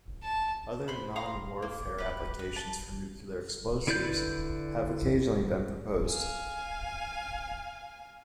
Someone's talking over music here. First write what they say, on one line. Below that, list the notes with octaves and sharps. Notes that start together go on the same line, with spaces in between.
Other, non-warfare, applications for nuclear explosives have occasionally been proposed.
A5
C5 B5
F5 A#5 C6 D#6
A#3
G4 B4
B4
A5
D3 E4 B4 D5 G6
F5 G#5